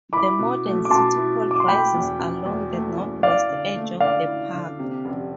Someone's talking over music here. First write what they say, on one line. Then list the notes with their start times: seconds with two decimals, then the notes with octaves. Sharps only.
The modern city hall rises along the northwest edge of the park.
0.13 E4 B5 D6
0.39 B2
0.65 A3
0.85 D6
0.90 B2 A5 C6
1.17 E4
1.42 B2
1.51 D6
1.60 C6
1.68 A3 G5 B5
1.94 E2
2.19 B2
2.46 E2
2.71 A3
2.97 E2
3.23 E4 D5 F5
3.50 D3
3.75 A3
4.00 D3 D5 F5
4.27 E4
4.53 D3
4.79 C3
5.05 F1